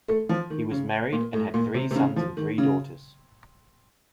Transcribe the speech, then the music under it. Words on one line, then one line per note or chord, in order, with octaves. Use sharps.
He was married and had three sons and three daughters.
A3
F3
D#3
C#3
A#2
A2
A#2
C3
C3
C#3
F3
D#3
C#3